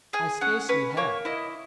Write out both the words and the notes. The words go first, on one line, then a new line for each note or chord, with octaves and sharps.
"I scarcely have."
G#4 G#5
C#4 F#5
C#4 B4
A#3 C#5
E4 D#5